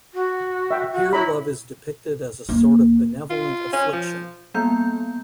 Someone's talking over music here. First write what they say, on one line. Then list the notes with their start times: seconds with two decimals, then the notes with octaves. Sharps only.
Here love is depicted as a sort of benevolent affliction.
0.14 F#4
0.71 E5 G5
0.92 F#4
1.13 E4 C#5 A#5 B5
2.49 D#2 A#3
3.30 F4
3.73 C#4
3.93 F3
4.54 G3 A#3 B3 G6